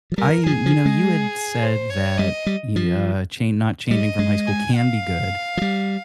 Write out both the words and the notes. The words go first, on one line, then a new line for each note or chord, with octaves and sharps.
I you know, you had said that y uh, chan not changing from high school can be good,
F3
G3 A#4
F3 G#4
F3
G#3
C5
C#5
G3 D#5
G3
F3
G3 D#5
G#3
G#5
F5
F3
G3